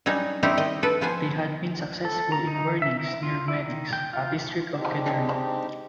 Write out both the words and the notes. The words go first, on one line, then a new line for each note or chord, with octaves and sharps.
They had been successful in Wernings near Wenings, a district of Gedern.
F#3 G3 C#4 D#4
G3 C4 D#4 E4 G4
D#3 D#5
A4 B4
F3 B3 C5 G#5
A4
A#5
D#4
E5
E4
F4
E4
D#3
G5
F4
G#3 C4 D4 D#4 G4